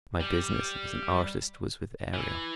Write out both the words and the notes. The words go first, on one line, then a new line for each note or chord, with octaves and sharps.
My business as an artist was with Ariel.
G3
E3